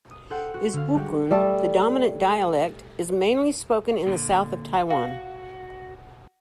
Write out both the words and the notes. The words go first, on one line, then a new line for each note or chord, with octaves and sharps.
Isbukun, the dominant dialect, is mainly spoken in the south of Taiwan.
D#6
A4 C5 F#5 G5
F#4
D3 F5
G3 G#3 F#4 G4
G3 A3 A4
A#2 D3
F#4 F5